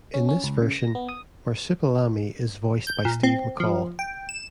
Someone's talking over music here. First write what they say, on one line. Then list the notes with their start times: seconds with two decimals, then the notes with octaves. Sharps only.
In this version, Marsupilami is voiced by Steve Mackall.
0.14 C#4
0.29 C#4
0.44 C#2
0.62 C#3
0.73 A#6
0.95 B3
1.09 D#6
2.87 G6
3.05 A#2
3.23 C4
3.60 F3
3.99 G5
4.29 E7